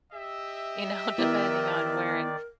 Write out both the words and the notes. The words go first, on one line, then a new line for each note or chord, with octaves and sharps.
you know, depending on where it
G4 D#5 E5
D#3 B3 E4 A#4 D5